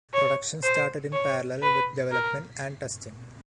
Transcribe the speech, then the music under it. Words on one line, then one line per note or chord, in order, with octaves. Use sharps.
Production started in parallel with development and testing.
C#5
C5
C#5
B4
A#4